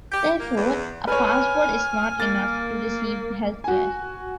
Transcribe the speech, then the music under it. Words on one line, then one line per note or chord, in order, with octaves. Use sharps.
Therefore, a passport is not enough to receive health care.
G4
A#3
E2
B4 C#5 G#5 F6
A#3 A6
F#4 G#5